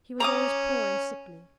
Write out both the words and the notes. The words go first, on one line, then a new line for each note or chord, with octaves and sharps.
He was always poor and sickly.
C#4 A#5 D6 D#6